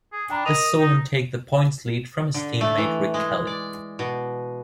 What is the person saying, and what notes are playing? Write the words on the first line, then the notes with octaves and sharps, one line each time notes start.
This saw him take the points lead from his team mate Rick Kelly.
G#4
D4 G5 A#5 B5
A#4 D#5 D#7 F7
D#4
D3
A3
E3
G#3
D5
B2